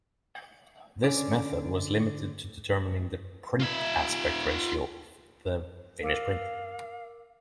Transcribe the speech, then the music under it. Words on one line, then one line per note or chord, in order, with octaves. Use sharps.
This method was limited to determining the print aspect ratio of the finished print.
D3 C#4 D5
F4 E5
A#4 F5 D6 E6